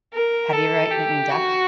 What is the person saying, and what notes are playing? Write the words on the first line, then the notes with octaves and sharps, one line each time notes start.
Have you ever eaten duck?
A#4
A4
G4
F#4